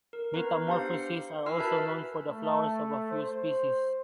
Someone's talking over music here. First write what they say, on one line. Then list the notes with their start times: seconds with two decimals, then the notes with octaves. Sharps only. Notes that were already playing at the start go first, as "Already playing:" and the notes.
Metamorphoses are also known for the flowers of a few species.
0.13 A#4
0.34 B3 B4 A#5
0.67 D4 G4 C5 F5
0.94 C#7
1.46 E4 E5 G#5 E6 F6 C7
1.59 F#4 A#4 B4 E5 A5 B5
2.30 A3
3.11 C5